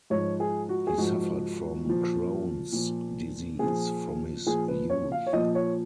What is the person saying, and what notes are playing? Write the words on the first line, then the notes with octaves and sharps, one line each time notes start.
He suffered from Crohn's disease from his youth.
G#2 F3 C#5
G#4
F#4
G#4
G#2 F3 F#4
A#2 F3
A#2 F3
A#2 F3 G#4
A#2 F3 G#4
B4
C#5
F5
C#5
A#2 F3 D#5
C#5